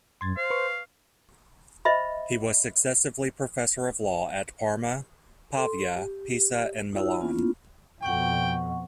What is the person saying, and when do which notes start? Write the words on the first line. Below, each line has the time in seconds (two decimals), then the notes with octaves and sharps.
He was successively professor of law at Parma, Pavia, Pisa and Milan.
0.21 F#2 C6 G#6 A6
0.37 C5 F5
0.50 B4 C#6
1.85 C5 D#5 E5 B5
5.57 A4 C6
5.96 G4
6.93 D#4 F4 F#4 C#5 E6
7.20 A#3 B3 C#4 D4 E4 F4
8.03 F2 B2 F#5 G5 C#6